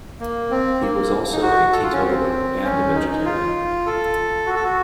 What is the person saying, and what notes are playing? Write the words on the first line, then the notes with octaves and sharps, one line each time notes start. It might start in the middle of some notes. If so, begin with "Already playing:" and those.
He was also a teetotaler and a vegetarian.
A#3
C4
A#3
D#4
F#4
A4
F4
C#4
C4
C#4
D#4
D#4
F4
A4
F#4
A4
F#4